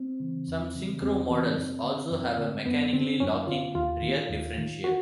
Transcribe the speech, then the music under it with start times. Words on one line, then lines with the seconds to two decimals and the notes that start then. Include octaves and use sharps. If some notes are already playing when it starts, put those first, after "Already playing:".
Some syncro models also have a mechanically locking rear differential.
Already playing: C4
0.20 C#3 E3
0.47 E2
0.75 C#3 E3
1.01 E2 C4
1.29 C#3 E3
1.57 F#2
1.83 D3
2.11 F#2
2.38 D3
2.66 F#2 B3
2.93 D3 C4
3.20 F#2 C#4
3.47 D3 F4
3.75 D#2 F4
4.02 D#3
4.29 D#2
4.57 D#3
4.84 F#4